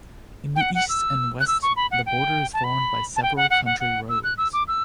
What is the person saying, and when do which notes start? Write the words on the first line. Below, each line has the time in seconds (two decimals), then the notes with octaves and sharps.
In the east and west the border is formed by several country roads.
0.56 G5
0.61 F#5
0.75 F#5
0.89 E6
1.40 F#6
1.48 E6
1.63 C#6
1.76 B5
1.91 F#5
2.06 G5
2.54 A5
2.64 B5
3.16 A5
3.23 G5
3.37 F#5
3.50 F#5
3.66 F#5
3.80 F#5
4.09 E6
4.24 F#6
4.38 E6
4.53 D6
4.68 E6